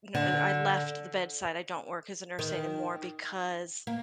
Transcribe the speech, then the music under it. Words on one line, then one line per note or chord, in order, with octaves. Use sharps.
n and I left the bedside; I don't work as a nurse anymore because
D3
D#3
A#3